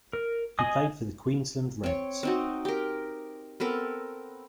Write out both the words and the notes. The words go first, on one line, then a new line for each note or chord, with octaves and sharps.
He played for the Queensland Reds.
A#4
G#4 D#5 G#5 D#6
C4 C#5
C4 D#4 F#4
G4 A#4
B3 C4 A4 A#4